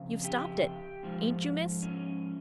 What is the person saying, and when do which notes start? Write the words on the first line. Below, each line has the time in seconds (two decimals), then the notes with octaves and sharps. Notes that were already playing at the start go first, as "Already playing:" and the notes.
"You've stopped it--ain't you, miss?"
Already playing: F2 C#3
0.24 G4
1.03 G#2 F3
1.82 C#4